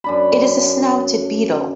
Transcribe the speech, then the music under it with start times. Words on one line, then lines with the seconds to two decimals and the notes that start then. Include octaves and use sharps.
It is a snouted beetle.
0.04 F#2 D4 B5